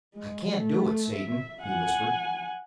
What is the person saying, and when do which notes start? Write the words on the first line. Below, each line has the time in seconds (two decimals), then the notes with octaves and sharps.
"I can't do it, Satan," he whispered.
0.14 G#3
0.54 A3
1.15 E5
1.61 F#5 G#5